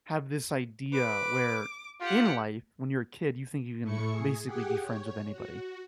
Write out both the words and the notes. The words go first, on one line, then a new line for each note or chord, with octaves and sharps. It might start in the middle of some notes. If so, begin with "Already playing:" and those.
have this idea where in life, when you're a kid, you think you can basically be friends with anybody.
B4 D6
F4 G4 F#5
A2 A3 E4 C#6 C#7
G#4
G4 G#4 F#5 G5
C#5
F#4